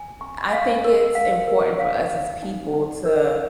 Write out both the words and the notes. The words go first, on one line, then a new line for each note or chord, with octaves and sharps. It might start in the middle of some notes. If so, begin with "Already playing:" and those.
I think it's important for us as people to
Already playing: G#5
C#6
F5
A#4
F5
A#4
F5
F5
D#4
D#4
A#4